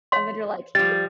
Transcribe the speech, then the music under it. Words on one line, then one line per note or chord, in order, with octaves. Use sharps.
and then you're like you
C#5 F5 C6
F3 G3 A6